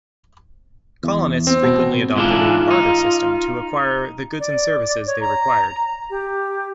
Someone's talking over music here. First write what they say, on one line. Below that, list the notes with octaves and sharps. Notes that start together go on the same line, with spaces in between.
Colonists frequently adopted a barter system to acquire the goods and services they required.
E2
C4
B2
G#2 E3 D4 F4
D#4
D5
C#5
A#5
G4